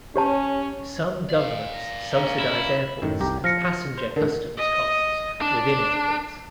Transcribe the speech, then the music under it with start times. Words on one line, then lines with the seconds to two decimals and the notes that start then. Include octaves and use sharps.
Some governments subsidize airports and passenger customs costs within airports.
0.16 C#4 G4 C#5 A5
1.29 D5 F5
1.75 A#6
2.11 A#3 C#4
2.40 E4
3.02 F#2 A2 D#3
3.20 C2 G4 A#5
3.44 F3 F6 A#6 C#7
3.98 C5
4.16 A2 D3 A#4
4.57 D#5
5.41 D4